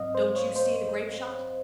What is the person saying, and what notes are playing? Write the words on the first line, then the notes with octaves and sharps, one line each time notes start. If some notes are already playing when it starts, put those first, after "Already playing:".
"Don't you see the grape-shot?"
Already playing: G#2 F#3 C4 D#5 F5
C5
C#5
C5